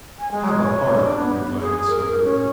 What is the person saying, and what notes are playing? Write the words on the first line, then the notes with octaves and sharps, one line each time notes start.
"Have a heart," replied the sufferer.
G#5
G#3
C#5
D4
B3
G#4
A#4
C#4